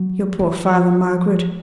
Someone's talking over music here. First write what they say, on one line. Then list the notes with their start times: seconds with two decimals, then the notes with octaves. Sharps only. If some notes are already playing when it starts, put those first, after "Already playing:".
Your poor father, Margaret.
Already playing: F#3
0.39 F3